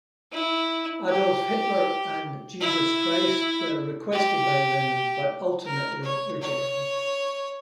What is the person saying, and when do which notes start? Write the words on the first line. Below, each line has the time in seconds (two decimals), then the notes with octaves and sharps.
Adolf Hitler and Jesus Christ were requested by Lennon, but ultimately rejected.
0.32 E4
1.08 G4
2.61 E4
4.13 G4
5.65 A#4
6.03 C#5
6.42 C#5